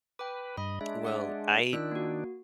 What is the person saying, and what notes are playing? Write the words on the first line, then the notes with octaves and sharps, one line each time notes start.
Well, I
B4 G5 D6
G2 D#5 B5
G#3 D4 E5
D5 E5 F#5
D#3 D4 F4 E6 F#6
A#3 F#4